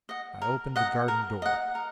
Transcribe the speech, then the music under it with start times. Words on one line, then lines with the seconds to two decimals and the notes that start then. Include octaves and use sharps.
I opened the garden door.
0.09 D#5 F#5
0.42 A#4
0.76 D#5 F#5
1.08 A#4
1.42 D#5 F#5
1.75 A#4